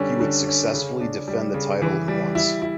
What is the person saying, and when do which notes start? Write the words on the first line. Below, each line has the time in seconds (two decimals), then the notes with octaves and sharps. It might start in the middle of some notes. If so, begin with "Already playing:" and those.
He would successfully defend the title once.
Already playing: D3 G3 C#4
0.21 D3
0.47 C#4
0.74 C#3
1.01 D4
1.28 G3
1.54 C#3
1.82 E3
2.08 G3
2.35 E4
2.62 E4